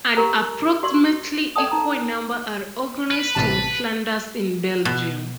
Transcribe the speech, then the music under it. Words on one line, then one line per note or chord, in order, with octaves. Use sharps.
An approximately equal number are organised in Flanders in Belgium.
G4 A#4 A#5
F#4 D5 C6 C#6 E6
A4 D5 G5 A5 D#6
D#4 A#5
B4
A1 C3 A5
B2